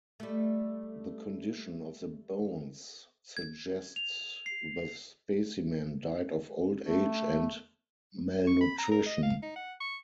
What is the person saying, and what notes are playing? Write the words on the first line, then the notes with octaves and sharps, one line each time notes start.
The condition of the bones suggests the specimen died of old age and malnutrition.
G3 A3
G#6
F7
C7
A3
C#6
B5
A#5
A#4
D#5
F5
D#4
F#5
C#6